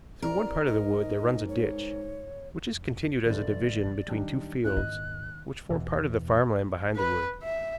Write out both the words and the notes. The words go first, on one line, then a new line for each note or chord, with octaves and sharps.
Through one part of the wood there runs a ditch, which is continued as a division between two fields which form part of the farm land behind the wood.
C2 A#4 D5
G#2 D#5
C#5
F1
G1 A2 C3 E3 A4 D5
D#3 F#3 G3 D4 D#4
C#2 A2 C#4 E4 F4 F#6
D#1 G#2 D#3 B3 D#5
E2 B2 E3
B4
E5